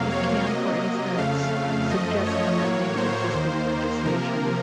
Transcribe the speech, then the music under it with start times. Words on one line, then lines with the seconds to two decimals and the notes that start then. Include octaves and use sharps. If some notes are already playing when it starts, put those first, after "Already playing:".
It can for instance suggest amending existing legislation.
Already playing: F2 C3 F#3 A#3 F5
0.10 C#5
0.47 C3 F#3 A#3 D#5
1.18 F2 C#3 A3 F5
1.90 F#2 F3 A3 D#5
2.26 C#5
2.61 A2 F#3 A#3 C#5
2.97 C5
3.33 D#2 D#3 A#3 C5
4.05 C3 F3 A#3 A#4